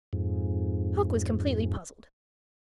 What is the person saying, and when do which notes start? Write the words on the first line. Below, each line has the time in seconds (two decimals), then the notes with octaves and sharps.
Hook was completely puzzled.
0.13 F2 G#2